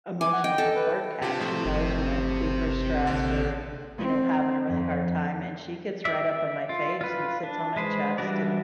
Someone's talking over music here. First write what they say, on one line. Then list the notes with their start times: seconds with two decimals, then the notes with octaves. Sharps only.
emotional support cat, she knows when I'm super stressed or, you know, having a really hard time, and she gets right up in my face and sits on my chest and
0.21 G#5 D6
0.33 F#5
0.44 D#5 G5
0.58 A4
0.75 B4
1.22 C3 D4 F4 G4
1.40 A2 F3 A3
1.65 G1
3.07 A1 D#2 D3
3.97 C4
4.66 F2
6.05 D5 E5
6.69 F4
7.01 F4 B4
7.43 D4
7.76 G#3 B4 C5
8.18 E3 G3 D4 F#4 D5